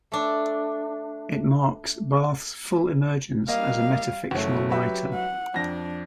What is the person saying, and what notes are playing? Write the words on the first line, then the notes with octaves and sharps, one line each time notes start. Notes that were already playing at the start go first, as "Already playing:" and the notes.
It marks Barth's full emergence as a metafictional writer.
A3 D4
G3 A#3 D#5 F5
F#1 F#3 A3 C#5
F#3 G4 B4 E5
F#5
F2 D4 A#6